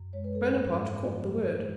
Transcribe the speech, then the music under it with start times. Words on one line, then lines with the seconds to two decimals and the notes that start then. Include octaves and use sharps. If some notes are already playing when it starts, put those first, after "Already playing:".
Bonaparte caught the word.
Already playing: F#2
0.13 G#3 C#5
0.24 B4
0.35 A4
0.42 G#2 B4
0.71 G#2
1.00 F3
1.29 D2
1.57 G#3